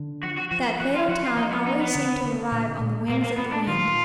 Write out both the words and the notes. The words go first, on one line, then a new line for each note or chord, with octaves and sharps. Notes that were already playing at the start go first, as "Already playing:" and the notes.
That fatal time always seemed to arrive on the wings of the wind.
Already playing: D3
F3 F#4
F#4
F3 F#4
F3 F#4
F4
F3 F#4
F4
F3 D#4
B3
D4 D#4
B3
D3
D3
A#2
A#2
A#2 A#3
A#3
A#2 B3
D4
D#3 F4